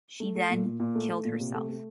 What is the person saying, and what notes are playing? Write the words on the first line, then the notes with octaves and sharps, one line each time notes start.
She then killed herself.
A3
A3
A#2
A#2
A#2
A3
A3
A#2
C3
A3
A3